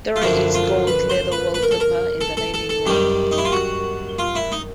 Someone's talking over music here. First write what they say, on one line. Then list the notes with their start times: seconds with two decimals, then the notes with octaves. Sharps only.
There is gold leather wallpaper in the dining room.
0.16 F4
0.22 F#2 D3 F3 E4
0.54 F4
0.87 B4
1.10 C5
1.32 B4
1.54 B4
1.63 A#4
1.71 A4
1.80 A#4
2.21 A4
2.37 A4
2.54 A4
2.69 A4
2.86 F#2 D#3 G3 G4
3.31 D#4
3.38 E4
3.45 F4
3.52 F#4
4.19 F4
4.35 E4
4.52 D#4